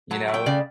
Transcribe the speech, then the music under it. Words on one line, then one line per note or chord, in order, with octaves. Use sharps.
You know,
F#3 A5
A3
G5
C#3 D5